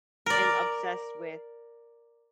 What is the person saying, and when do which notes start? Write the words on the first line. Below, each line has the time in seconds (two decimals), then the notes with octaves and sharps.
I am obsessed with
0.26 A#4 D5